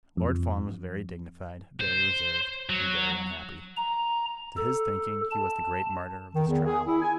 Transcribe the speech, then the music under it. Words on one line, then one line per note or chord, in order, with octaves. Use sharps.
Lord Fawn was very dignified, very reserved, and very unhappy. To his thinking he was the great martyr of this trial.
F2
C5
F#3
A#5
A4
A5
D#3
E2
G#4
E4
G#5